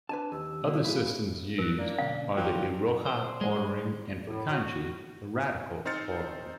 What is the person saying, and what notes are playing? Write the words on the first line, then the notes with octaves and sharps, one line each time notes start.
Other systems used are the "iroha" ordering, and, for kanji, the radical ordering.
D4 B4 G#5 A5
D#2 G4 E6
C3 G3 A#3 F#4
E4 G#4 F5
F3 F#3 A#4 F#6
A3 A#3 D4 D5
B2 D3 C#4 F5
F3 F#3 G5 D6
C5
G#3
A2
F#4
C4 D#4 C5 F6 A6 C#7